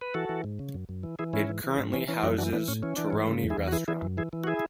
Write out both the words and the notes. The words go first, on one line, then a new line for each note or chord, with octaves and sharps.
It currently houses Terroni restaurant.
B4
E3 F#4 A4
E3
G#2
C#3
F#2
F#2
E3
E3 E4 G#4
G#2 C#4 E4
E3
E3
G#2
E3 C#4
E3 C#4
F#2 D4 F#4
E3 D4 F#4
E3 B3 D4
A2 C#4
E3 C#4
E3 D4
G#2 C#4
C#3
E2
E4 G#4
E2
F#4
E3 E4 G#4
E3 E4 G#4
F#2
E3 E4 G#4
E3
F#4
E4 G#4